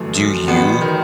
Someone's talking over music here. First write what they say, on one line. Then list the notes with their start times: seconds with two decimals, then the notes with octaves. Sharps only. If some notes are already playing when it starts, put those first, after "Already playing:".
do you
Already playing: G1 F#2 E3 A3
0.15 F#2
0.48 A1 B3
0.81 D#3